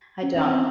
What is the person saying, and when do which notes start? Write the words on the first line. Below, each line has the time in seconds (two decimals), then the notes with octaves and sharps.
I don't.
0.23 C#4
0.36 C#4
0.44 C4